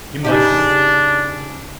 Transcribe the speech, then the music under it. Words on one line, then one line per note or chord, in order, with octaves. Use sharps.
Heem like blood.
C#3 D4 D#4 G4